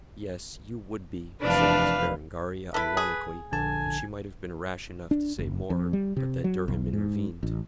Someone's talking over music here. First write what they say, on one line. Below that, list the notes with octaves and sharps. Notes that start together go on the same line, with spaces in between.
"Yes, you would be," said Miss Berengaria ironically, and she might have been rash enough to say more, but that Durham intervened.
F1 E3 D4 B4 F5
E4 A4 B4
G#4
A#1 D3 G#5 A5
D4
F#1
F2
G3
C3
F#3
B1
G#2
A1